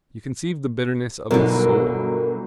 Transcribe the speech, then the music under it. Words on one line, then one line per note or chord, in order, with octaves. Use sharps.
You conceive the bitterness of his soul.
G1 B2 D3 F#3 D#4 A#4